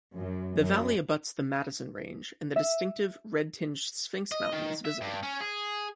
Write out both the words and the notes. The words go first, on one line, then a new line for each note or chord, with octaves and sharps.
The valley abuts the Madison Range and the distinctive, red-tinged Sphinx Mountain is visible.
F#2
F#2
E5
D#5
D#3
E5
G2
C#4
G#4